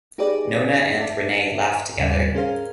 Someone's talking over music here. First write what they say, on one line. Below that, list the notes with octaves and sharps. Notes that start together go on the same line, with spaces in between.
Nona and Renee laugh together.
D#4 G4 G#4 B4 D5 D#5
D5 E5 A5
D#2 G#2 C#3 G3
C#4 G#4 A#4 C5 F5